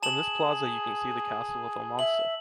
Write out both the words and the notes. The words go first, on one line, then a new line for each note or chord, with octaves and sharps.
From this plaza you can see the Castle of Almansa.
G#4 A5 E7 F#7
E5 F#7